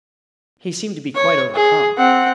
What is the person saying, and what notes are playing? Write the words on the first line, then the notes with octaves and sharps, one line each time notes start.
He seemed to be quite overcome.
C#5
G#4
C4 F#5